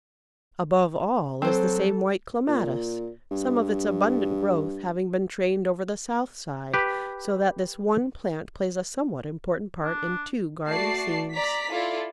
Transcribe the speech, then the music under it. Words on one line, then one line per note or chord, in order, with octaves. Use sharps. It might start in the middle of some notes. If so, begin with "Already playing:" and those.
Above all is the same white Clematis, some of its abundant growth having been trained over the south side, so that this one plant plays a somewhat important part in two garden-scenes.
F#3 C4 A4 C5
A#2
G2
G4 B4
D4
A3 F#4 D5 A5 C7
D5 A#5 B6
E4 F4 A4 D5